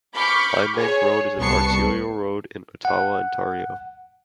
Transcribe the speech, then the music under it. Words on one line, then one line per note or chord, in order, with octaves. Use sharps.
Limebank Road is an Arterial road in Ottawa, Ontario.
B5 C#6 D6 F6 G6
G#4 C#5
C2 B3 A5 C#6 C7 C#7
F#5